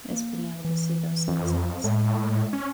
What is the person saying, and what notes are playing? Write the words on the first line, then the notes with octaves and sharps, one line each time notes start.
is being able to see those sunsets.
A#3
E3
F2
A2 G#3
C#4